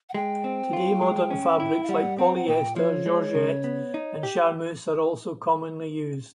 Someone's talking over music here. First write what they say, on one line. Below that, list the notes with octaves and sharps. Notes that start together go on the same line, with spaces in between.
Today, modern fabrics like polyester, georgette and charmeuse are also commonly used.
F#5
G#3 G5
C4
F4
G#3
C#4
E4
F5
G3 F#5
C4 F#5
F#5
A#2 G5
F3 C#5
G#3
C#3
B3
D#4
G4